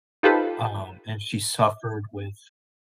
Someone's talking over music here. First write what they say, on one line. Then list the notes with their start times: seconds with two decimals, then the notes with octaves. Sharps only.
um, and she suffered with
0.23 D#4 F4 G4 A4 B4 C5